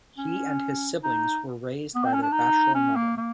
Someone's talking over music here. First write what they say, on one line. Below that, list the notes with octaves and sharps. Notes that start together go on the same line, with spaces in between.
He and his siblings were raised by their bachelor mother.
C#4
D#4
B3
C4
C#4
D4
D#4
C#4
A#3
A#3